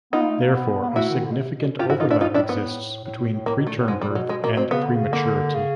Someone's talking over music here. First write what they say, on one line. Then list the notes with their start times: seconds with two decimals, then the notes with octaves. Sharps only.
Therefore, a significant overlap exists between preterm birth and prematurity.
0.13 B3 D#4 F4
0.22 A#3
0.30 A3
0.38 A#3
0.54 B3
0.82 B3
0.89 A#3
0.96 A3 E4 F#4
1.10 D#3
1.24 D3
1.32 B2
1.38 C3
1.58 B2
1.79 G#2 F4 G4
1.90 E4 F#4
2.00 D#4 F4
2.10 D4 E4
2.21 A2 D#4 F4
2.30 G#2
2.34 A2 D4 E4
2.49 G#2 B3
2.63 A2
3.04 A2
3.18 A2
3.32 A2
3.46 A2 A#3
3.59 B2
3.67 A#2 A3
3.78 A2
3.88 G#2 G#3
4.01 G3
4.09 A#2
4.15 F#3
4.19 B2
4.29 G#3
4.44 A#3
4.57 C4
4.71 C#3 B3
4.83 D3
4.95 C#3
5.12 D3 A#3
5.54 C#3